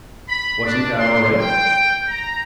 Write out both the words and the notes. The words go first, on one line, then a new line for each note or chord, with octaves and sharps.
"Wasn't that all right?"
B5
D4
C6
G5
A#5